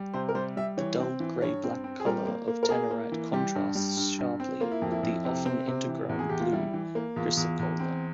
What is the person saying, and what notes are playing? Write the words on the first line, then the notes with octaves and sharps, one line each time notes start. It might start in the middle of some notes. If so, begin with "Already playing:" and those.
The dull grey-black color of tenorite contrasts sharply with the often intergrown blue chrysocolla.
Already playing: G3
C3 C5
A#4
G3 C5
G3 E5
E3 C#5
C4
E3
G2 C#5
C4
C4
G#4
G3 A#4
A#3
A#3
A#4
A#3 G#4
A#3
E3
G3 G4
G2
G3
G2
G2
C4
A#3 F4
E4
F2
E4
F2
C3
C4
C3
E3
E2
G#4
E2 G4
F4
G3 E4
E3
A#3
E2 F4
E2
E2
C4